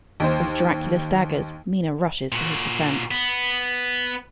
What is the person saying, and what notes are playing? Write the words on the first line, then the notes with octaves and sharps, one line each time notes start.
As Dracula staggers, Mina rushes to his defense.
D#2 D#3 C5
A#2 F#4
B3